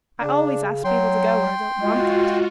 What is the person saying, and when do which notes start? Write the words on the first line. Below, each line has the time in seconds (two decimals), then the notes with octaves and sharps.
"I always ask people to go when I don't want them to."
0.20 C#3 D4
0.84 F#3 G5 C6
1.79 G#3 F4 F#4